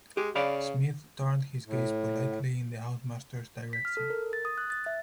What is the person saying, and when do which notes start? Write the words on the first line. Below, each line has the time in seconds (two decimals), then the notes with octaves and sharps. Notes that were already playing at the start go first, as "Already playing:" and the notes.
Smith turned his gaze politely in the housemaster's direction.
0.17 G#3 G4
0.35 C#3 D5 F5 B5
1.67 A2
3.73 B6
3.85 F6
3.97 A4
4.10 A#4
4.33 A6
4.45 D#6
4.58 F#6
4.70 A6
4.86 E5